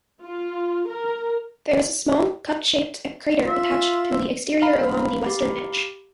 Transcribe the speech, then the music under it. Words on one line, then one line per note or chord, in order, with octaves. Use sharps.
There is a small, cup-shaped crater attached to the exterior along the western edge.
F4
A#4
F4 E5
F5 A#5 B5
G4